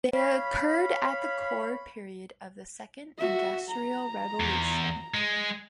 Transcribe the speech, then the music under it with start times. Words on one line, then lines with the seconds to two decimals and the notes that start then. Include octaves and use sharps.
They occurred at the core period of the Second Industrial Revolution.
0.13 C#5 F5 B5
3.19 F#4 E5
3.69 A#5
4.40 E2
5.14 G#3